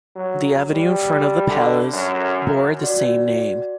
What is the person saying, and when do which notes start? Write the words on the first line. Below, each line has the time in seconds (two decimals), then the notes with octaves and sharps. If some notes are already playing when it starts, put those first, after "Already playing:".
The avenue in front of the palace bore the same name.
0.16 F#3
0.72 G3
1.49 D3
1.93 F#2
2.81 F#4 D5